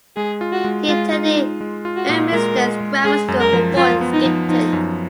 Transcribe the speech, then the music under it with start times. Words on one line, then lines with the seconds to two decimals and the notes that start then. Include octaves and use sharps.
He attended Ermysted's Grammar School for boys in Skipton.
0.16 G#3 G#4
0.41 F4
0.53 F#4
0.64 G#3
0.88 G#3 F4
1.13 F4
1.25 D#4
1.37 G#3
1.61 G#3
1.85 F4
1.97 F#4
2.09 A#2
2.33 G#3 A#4
2.57 G#3
2.81 G#3
3.04 G#3 G#4
3.28 F#2
3.41 A#4
3.53 F3
3.76 F3 F4
4.01 B3
4.13 D#4
4.25 F3
4.49 F3 D#4
4.73 F#2